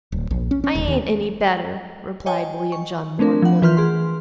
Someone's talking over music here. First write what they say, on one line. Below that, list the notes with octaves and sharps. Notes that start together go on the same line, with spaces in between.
"I ain't any better," replied William John mournfully.
D1
A#1
C#4
C#4
D#1
D#2
C#5 D#5 G5 G#5
C#6
A3 C4 D4 A#4
F3 F#5
E3 F4 B4 C6 F6 G6
G#4 C6